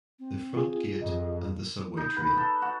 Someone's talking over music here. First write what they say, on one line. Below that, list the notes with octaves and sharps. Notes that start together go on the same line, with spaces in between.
The front gate and the subway train.
C4
F4 G#4
F2 D#5
D#4
B4
A4
F#4